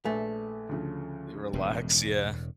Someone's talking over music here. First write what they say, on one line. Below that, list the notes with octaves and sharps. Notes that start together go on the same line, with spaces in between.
Relax, yeah.
A#1 A3 B4 G#5
D2 C#3 F3
E1 A2